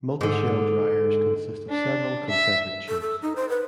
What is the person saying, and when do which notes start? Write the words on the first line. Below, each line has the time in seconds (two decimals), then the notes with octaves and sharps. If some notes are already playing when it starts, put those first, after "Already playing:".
Multi-shell dryers consist of several concentric tubes.
0.21 G#2 D3
1.70 D4
2.29 E5
2.88 A4
3.01 A4
3.22 D#4
3.36 C5
3.49 B4